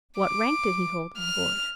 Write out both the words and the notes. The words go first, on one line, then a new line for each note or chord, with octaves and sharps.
"What rank did he hold on board?"
D6
F6